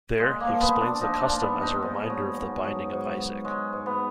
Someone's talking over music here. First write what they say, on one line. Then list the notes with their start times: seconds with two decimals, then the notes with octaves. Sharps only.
There, he explains the custom as a reminder of the binding of Isaac.
0.20 A#2 G#3
0.40 A#3
0.47 F3
0.61 B3
0.74 A#2
0.81 D4
1.01 F3 D#4
1.21 D4
1.29 A#2
1.41 B3
1.55 F3
1.62 D#4
1.82 G#2
2.10 F#3
2.37 G#2
2.64 F#3
2.91 G#2
3.18 F#3
3.45 F#3 G#3
3.73 G#2
3.86 B3